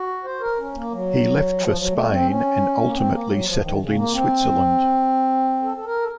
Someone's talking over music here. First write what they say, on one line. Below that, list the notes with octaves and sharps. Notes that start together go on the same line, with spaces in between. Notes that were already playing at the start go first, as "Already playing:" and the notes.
He left for Spain, and ultimately settled in Switzerland.
Already playing: F#4
C5
A#4
C#4
A#3
F#3
F3
F#3
A3
C4
C#4
A#3
C4
A#3
F#3
F3
D#3
C#3
A#3
C4
A4
A4
A#4
A4